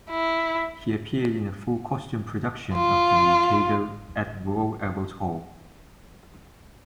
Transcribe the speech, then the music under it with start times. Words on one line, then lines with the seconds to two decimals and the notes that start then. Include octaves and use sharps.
He appeared in a full costume production of "The Mikado" at Royal Albert Hall.
0.10 E4
2.74 F4